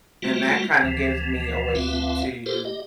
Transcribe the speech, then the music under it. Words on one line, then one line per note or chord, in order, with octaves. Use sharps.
and that kinda gives me a way to,
G3 A3 A#3 F4 F#4
D2 E3 F3
D2 C4 F4 B4 E5 F5
F4 G4 A4 A#4 C5
G4 D#5